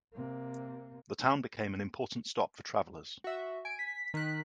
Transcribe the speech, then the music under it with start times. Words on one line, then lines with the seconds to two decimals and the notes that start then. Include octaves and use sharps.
The town became an important stop for travellers.
0.14 C3 A#3
3.24 F#4 E5
3.65 G#5 D7
3.79 B6
4.14 D#3 F#6